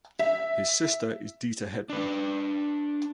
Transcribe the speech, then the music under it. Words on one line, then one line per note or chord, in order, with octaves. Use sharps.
His sister is Deta Hedman.
E5
D4 B4